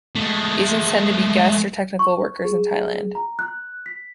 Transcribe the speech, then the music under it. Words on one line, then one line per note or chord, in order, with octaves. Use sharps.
Asians tend to be guest or technical workers in Thailand.
G#3 A3
C#6
G#4
A#5
F#6
B6